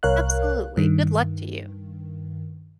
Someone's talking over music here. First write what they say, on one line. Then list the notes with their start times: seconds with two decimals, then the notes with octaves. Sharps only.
Absolutely, good luck to you.
0.03 C2 A#4 C#5 F5 F#6
0.77 G2 D#3